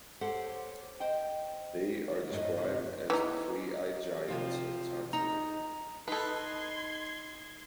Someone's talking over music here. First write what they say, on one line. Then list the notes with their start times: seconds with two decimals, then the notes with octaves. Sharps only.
They are described as the Three-Eyed Giants of Tartary.
0.21 G4 A4 C5 C#5 F#5
1.00 C5 D#5 G5
2.30 F#2 A2 D#5
2.57 F#2 C3 D#3
3.10 E3 B3 D#4
4.28 C3 F3 F4
5.13 D#4 A#5
6.08 D#4 A4 B4 C6 G#6